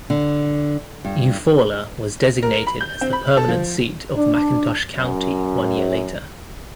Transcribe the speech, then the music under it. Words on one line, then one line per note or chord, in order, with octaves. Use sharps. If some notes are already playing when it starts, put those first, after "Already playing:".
Eufaula was designated as the permanent seat of McIntosh County one year later.
D3
G2
A#4
B5
G6
C4
B5
A4
F3
D4
F#2